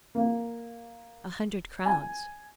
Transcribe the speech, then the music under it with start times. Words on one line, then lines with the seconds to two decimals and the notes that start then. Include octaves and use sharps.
"A hundred crowns."
0.15 A#3
1.86 G#5